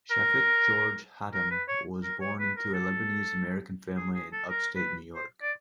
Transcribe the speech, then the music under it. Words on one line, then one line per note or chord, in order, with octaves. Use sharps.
Shafick George Hatem was born into a Lebanese-American family in upstate New York.
A#4
A#4
B4
C#5
A#4
C#5
B4
A#4
A4
G#4
G#4
A4
A#4
B4
C5
D5